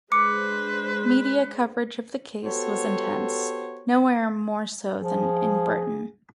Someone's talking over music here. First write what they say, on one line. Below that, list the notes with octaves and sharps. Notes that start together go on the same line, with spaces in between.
Media coverage of the case was intense, nowhere more so than in Britain.
G#3 D4 B4 C5 D6 C#7
B3 F#4 G4 A4 C5 C#5
F3 G#4